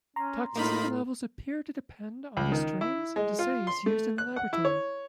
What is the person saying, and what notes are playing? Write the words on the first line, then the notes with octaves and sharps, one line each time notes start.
Toxicity levels appear to depend on the strains and assays used in the laboratory.
C#4 A#5 C6
A2 A#3 D#4 F4 B5
C#2
D#3
E4
G#3
F4
C6
A3
F#6
F#5
E4
C#5